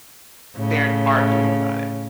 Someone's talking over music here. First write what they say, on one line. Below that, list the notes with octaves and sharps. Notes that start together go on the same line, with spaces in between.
they're d arguing about it.
A2 C#3